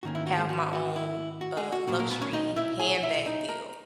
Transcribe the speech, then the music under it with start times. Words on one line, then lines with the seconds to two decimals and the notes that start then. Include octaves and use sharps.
have my own, uh, luxury handbag deal,
0.03 G#2 D#3 A#3 C#4 F#4
0.15 E4
0.27 F#4
0.37 G#3 G#4
0.50 F#4
0.73 F#4
0.96 E4
1.41 F#4
1.57 G#3 G#4
1.72 F#4
1.87 B1 A#2 F#3 F#4
1.99 A#3 A#4
2.10 B3 B4
2.22 C#4 C#5
2.33 D#4 D#5
2.56 E4 E5
2.79 G#4 G#5
3.03 E4 E5
3.26 D#4 D#5
3.49 A#4 A#5